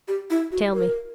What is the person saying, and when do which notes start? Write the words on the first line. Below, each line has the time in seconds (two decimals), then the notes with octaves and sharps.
Tell me.
0.08 G4
0.30 E4
0.52 F#4
0.73 A#4